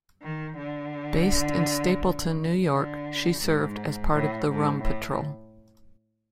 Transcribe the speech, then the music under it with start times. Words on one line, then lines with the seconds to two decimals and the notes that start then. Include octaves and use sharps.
Based in Stapleton, New York, she served as part of the Rum Patrol.
0.22 D#3
0.58 D3
2.70 D3
3.42 G#2
4.13 A2
4.49 G#2
4.83 A2